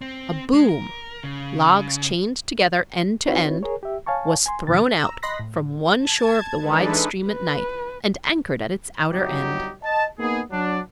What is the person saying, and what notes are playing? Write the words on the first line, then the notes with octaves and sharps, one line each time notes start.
A "boom", logs chained together, end to end, was thrown out from one shore of the wide stream at night, and anchored at its outer end.
C4
G#3
A#4
C#3
C4 D#4 E4 F#4 B4 C#5
G#4 A#4 C#5
G4 E5
C#5 F5 G#5 A5 C#6
G#5 C6
E2 B2 D#3 A6
A#5 E6
D#5 B5 C6 F#6 A#6 B6
A2
A5 G#6
E3 G#3 D4 D#4 A4 B4
B4
G1 F#3 G3 D#4 G4
D#5 A5
A#3 B3 D#4 G#4
F#3 D4